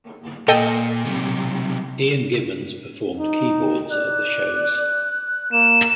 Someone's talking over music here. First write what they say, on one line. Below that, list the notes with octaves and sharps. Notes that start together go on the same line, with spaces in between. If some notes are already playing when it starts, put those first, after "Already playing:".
Ian Gibbons performed keyboards at the shows.
A#2 A4 D#5 G5
B1 C3
D#4
D5 F#6
A#3 E7